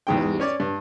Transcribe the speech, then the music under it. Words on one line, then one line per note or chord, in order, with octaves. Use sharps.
I'm almost
E2 G#2 G5
C#4 C#5 D5
G2